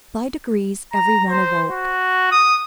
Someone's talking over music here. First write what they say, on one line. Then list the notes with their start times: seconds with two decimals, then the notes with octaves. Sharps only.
By degrees every one awoke.
0.93 A#5
1.29 C5
1.70 F#4
2.31 D#6